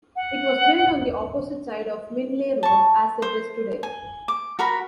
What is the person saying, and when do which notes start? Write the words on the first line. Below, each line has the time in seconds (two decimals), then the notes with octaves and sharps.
It was built on the opposite side of Minley Road as it is today.
0.16 F#5
2.63 A5 C#6
3.22 C5
3.83 G#5
4.28 D6
4.59 F#4 A#4 A#5 B5